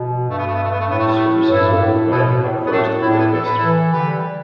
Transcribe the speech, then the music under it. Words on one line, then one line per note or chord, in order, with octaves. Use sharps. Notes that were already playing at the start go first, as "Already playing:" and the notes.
Services are provided by First Great Western.
Already playing: B2
G2 A3
B3
A3
B3
A3
B3
A3
A2 B3
A3
G3
A3
G2 E4 A4
A2
B2 B3 E4
A2
B3
A2 A3 D4
A2 E4
D4
B3 E4
A4
B4
E3 E4 A4
D3 G4 B4
G3